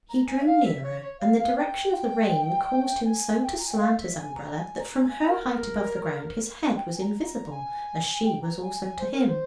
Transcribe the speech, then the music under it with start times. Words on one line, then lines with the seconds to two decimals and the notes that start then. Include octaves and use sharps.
He drew nearer, and the direction of the rain caused him so to slant his umbrella that from her height above the ground his head was invisible, as she was also to him.
0.09 A#5
0.26 G#5
0.38 E5
0.46 F5
0.64 E5
0.82 C#5
1.01 C#5
1.19 F5
1.38 F5
1.56 G5
3.05 G#5
3.42 G5
3.58 A#5
3.65 G#5
3.72 G5
3.78 F5
3.98 E5
4.16 G#5
4.34 A#5
4.53 G#5
4.78 A#5
5.02 G#5
5.27 A#4
6.76 G5
6.94 G#5
7.00 A#5
7.25 A#5
7.50 G#5
8.24 G5
8.42 A#5
8.61 G#5
8.80 G#5
8.99 C5
9.11 A#4
9.25 C5